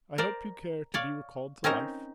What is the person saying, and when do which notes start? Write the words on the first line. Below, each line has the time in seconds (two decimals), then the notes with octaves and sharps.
"I hope you care to be recalled to life?"
0.18 A#4 C5 D5
0.94 C#5 D5 F5
1.64 C4 C#4 D#4 A#4 C5